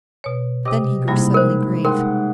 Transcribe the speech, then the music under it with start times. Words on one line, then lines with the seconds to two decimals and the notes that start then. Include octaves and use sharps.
Then he grew suddenly grave.
0.24 B2 C#5
0.65 C3 G4 D#5 D6
1.07 G#2 C3 G3 A#3 E4
1.34 A#4 C5
1.85 G#2 A#4 F#5 G5 C6